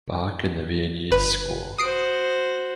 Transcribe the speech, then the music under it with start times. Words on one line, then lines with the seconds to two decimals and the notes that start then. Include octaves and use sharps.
Bach and the Viennese School.
1.11 G1 B4
1.78 F#4 C5 D#6 C7 D7